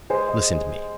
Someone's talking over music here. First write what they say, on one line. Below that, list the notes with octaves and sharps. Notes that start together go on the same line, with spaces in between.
Listen to me.
G#3 C5
D#5